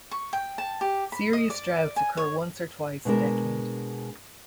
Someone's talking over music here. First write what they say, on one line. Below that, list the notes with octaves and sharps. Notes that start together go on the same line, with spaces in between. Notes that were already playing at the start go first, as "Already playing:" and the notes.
Serious droughts occur once or twice a decade.
C#6
G5
A5
G4
B5
D#5
D5
G#5
C#5
B2 G#3 D4 A#4